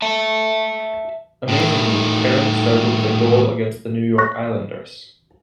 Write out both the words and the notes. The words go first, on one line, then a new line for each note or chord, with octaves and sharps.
Amazingly, Cairns started with a goal against the New York Islanders.
E5 A5
A2 D#3
C#5 C#6 F#6 A#6